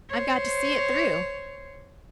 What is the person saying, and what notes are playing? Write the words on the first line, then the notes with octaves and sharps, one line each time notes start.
I've got to see it through.
C5 C#5